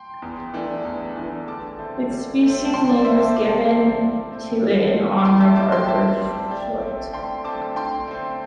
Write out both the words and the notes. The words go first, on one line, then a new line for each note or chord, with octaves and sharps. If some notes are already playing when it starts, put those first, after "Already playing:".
Its species name was given to it in honor of Arthur Schott.
Already playing: G5 C6
E2
E3 A3 D4
E2
E3 A3 D4
D3 A5 D6
A3 C4
D3
A3 C4
A5
C3 G5 C6
D5
A3 C4 C5 E5
E5 A5
C3 A5 D6
A3 C4
A2
A3 C4
A2
A3 C4
A2 G5 C6
E5 A5
G3 C4 A5 D6
G5 C6
A2 E5 A5
G3 C4
D3 D5 G5
A3 C4
D3 G5 C6
A3 C4 A5 D6
D3 G5 C6
A3 C4